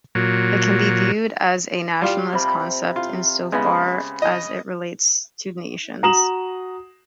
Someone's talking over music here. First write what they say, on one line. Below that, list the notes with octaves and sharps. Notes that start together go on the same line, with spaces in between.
It can be viewed as a nationalist concept, insofar as it relates to nations.
A#2 F#3
G3 F4 G4
C3 B5
F4
C#3 G#3 B3 E5 B5
D#5
F#4 A#5 D#6 E7 F#7